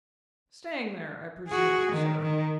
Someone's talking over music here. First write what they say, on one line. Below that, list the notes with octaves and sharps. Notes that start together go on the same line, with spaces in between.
'Staying there, I presume, sir?'
F#4 G#4
D#3
D#3